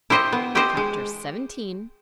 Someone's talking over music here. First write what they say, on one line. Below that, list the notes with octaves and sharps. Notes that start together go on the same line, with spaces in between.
Chapter XVII.
E4 G4 C5 D#5
B3
E4 G4 C5 D#5
G#3